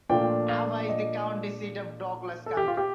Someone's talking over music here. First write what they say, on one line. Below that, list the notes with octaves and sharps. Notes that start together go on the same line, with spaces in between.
Ava is the county seat of Douglas County.
A#2 F3 A3 D4 G5
F5
D#5
A4
G4
F4
G4